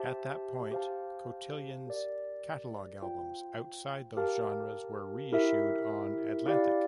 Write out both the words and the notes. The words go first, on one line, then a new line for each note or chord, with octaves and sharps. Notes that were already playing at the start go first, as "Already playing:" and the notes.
At that point, Cotillion's catalog albums outside those genres were reissued on Atlantic.
Already playing: G4 C5 E5 A5
G4 C5 F5 A5
G4 A#4 D5
F4 C5 G5
G4 A#4 F5 A5
E4 G4 A#4 E5
E4 G4 D5 F5